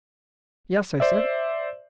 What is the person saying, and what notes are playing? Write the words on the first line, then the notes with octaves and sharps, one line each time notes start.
"Yes," I said.
C5 D5 E5